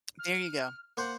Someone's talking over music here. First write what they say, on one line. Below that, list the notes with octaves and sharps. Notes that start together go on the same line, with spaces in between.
There you go.
F6
A#3 C5 F#5